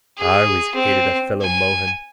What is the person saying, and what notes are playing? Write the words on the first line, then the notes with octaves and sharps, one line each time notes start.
I always hated that fellow Mohun.
G#4
C4
G#5